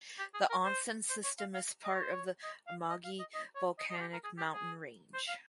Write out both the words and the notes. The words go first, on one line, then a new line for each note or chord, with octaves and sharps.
The onsen system is part of the Amagi volcanic mountain range.
G4
G#4
A#4
C5
C5
C#5
F5
F5
D#5
C#5
C5
C#5
D#5
F5
D#5
F5
D#5
D#5
C#5
D#5
D#5
F4
G4
A#4
G#4
G4
G#4
C5
F5